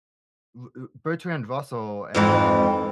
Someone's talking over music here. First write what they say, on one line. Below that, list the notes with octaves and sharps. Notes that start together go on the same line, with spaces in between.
u u Bertrand Russell and, uh
F2 G#2 E3